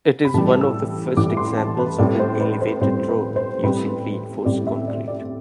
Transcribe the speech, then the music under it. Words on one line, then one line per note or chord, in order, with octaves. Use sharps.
It is one of the first examples of an elevated road using reinforced concrete.
B5
A2 E3 G3 A5
E6
A2 E3 G3 D6
C6
A5
B4
A2 G3 C4 D5
C5
B4
C5
A2 G3 C4 C5
B4
C5
A2 G3 C4 B4
A2 G3 C4 D5
E5
D5
D5